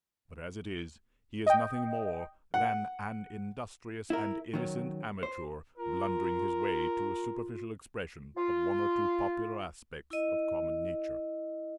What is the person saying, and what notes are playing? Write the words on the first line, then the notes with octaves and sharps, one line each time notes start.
But as it is, he is nothing more than an industrious and innocent amateur blundering his way to a superficial expression of one or two popular aspects of common nature.
D#5 G5
F#5
E4 A#4
D#3 F#3 C#4
C5
F4 A#4
F4
E4 D#5